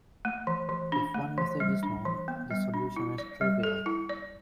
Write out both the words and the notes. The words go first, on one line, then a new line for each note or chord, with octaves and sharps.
If one message is known, the solution is trivial.
A3
E3
E3
D4
A3
E3
G3
D4
E3
B3
G3
D4
E4
D5
G3
A4
E4
D5